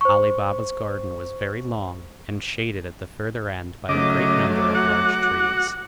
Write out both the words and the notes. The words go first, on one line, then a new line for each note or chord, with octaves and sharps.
Ali Baba's garden was very long, and shaded at the further end by a great number of large trees.
C5 C#6
C#3 F#3 A3 D#5 D6
F#4 F#5